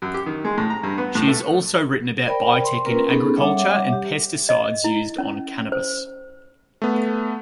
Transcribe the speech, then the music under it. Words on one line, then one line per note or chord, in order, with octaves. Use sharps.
She has also written about biotech in agriculture and pesticides used on cannabis.
F#2
G4
D#3
G#3
A2
A#5
G2
B3
A2
A3
A#4 C5 D5 G5 B5
C6
A#3 C#4 F4 A#4 B4
B3 C#4 D#4 G#4 A4
G3 C#5 E5 F#5 D6
G4
D#5
E4
C#4
C5
A3 B3